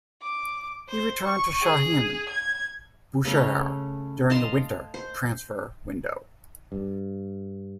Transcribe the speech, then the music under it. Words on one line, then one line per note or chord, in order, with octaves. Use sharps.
He returned to Shahin Bushehr during the winter transfer window.
D6
C5
C#6
G#4
G#6
C#3 A3 C#4
D#5 F5 A5 C6
C5
G2